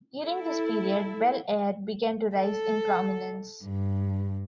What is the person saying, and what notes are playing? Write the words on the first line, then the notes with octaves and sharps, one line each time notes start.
During this period, Bel Air began to rise in prominence.
E4 A4
A4
G2